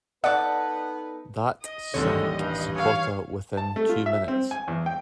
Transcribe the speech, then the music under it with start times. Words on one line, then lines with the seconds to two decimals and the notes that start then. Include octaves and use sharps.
That sank "Secota" within two minutes.
0.24 B3 D#4 A4 B4 D5 F#5 D6
1.62 D#5
1.94 A1 D#2 D3 G3 C4 F#4 C#5
2.39 G2 F5
2.74 C#5 F5 G#5 E6
3.57 A5
3.76 A3
3.89 F4
4.06 E5
4.28 C4
4.51 G#5
4.68 E2
4.86 G5